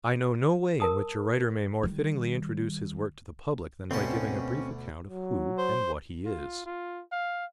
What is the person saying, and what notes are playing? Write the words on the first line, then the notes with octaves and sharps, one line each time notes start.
I know no way in which a writer may more fittingly introduce his work to the public than by giving a brief account of who and what he is.
A#4 A5 D#6
D#3 G3
D2 B2 C4 C#4 A5
F#3
C5
F4
F4
F5